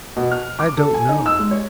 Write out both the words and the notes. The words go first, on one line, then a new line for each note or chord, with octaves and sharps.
I don't know.'
B2
F6
D6
A4
G#5
D#4
E6
G#3
C#5